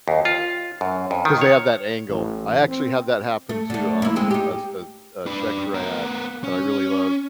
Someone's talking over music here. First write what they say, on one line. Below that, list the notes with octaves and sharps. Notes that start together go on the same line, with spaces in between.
'cause they have that angle. I actually had that happen to, um, a s a a Shechter I had, that I really love,
D#2
F4
F#2
F2
D#3
C#5
A1
C4
A3
D3 A3
A#3 E4
G#3 C4
D#4 G4
D4 B4
B3 A#4
C#4